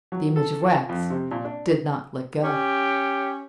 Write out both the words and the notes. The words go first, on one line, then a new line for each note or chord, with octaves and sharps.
The image of wax did not let go.
F#3
A4
F4
F2
C3
A#2
D4
C#4 G4